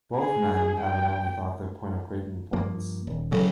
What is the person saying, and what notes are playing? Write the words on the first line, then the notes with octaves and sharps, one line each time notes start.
Both men evidently thought the point of great importance.
G#4
G5
G2 F3 A#3
D#1
C#3 F#3 A4